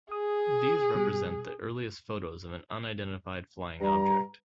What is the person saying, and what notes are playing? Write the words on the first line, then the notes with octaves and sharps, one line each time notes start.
These represent the earliest photos of an unidentified flying object.
G#4 D#6
B2 G3
G2 G3 A#5